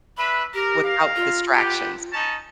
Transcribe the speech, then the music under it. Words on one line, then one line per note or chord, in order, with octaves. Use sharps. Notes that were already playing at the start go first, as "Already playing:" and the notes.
without the distractions.
D4 B4 E5 B5
G4 A#4
A#4 F5
F4
B3 G4
C#4 D#4 A5